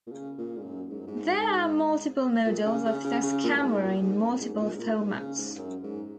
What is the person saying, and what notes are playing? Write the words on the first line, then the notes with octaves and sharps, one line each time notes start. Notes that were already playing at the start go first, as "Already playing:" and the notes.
There are multiple models of this camera in multiple formats.
A#2
C#3
A#2
G#2
F#2
G#2
F#2
G#2
A#2
C#3
C#3
C#3
C#3
A#2
F#2
G#2
A#2
G#2
F#2
G#2
G#2
A#2
G#2
A#2
G#2
C#3
G#2
F#2
G#2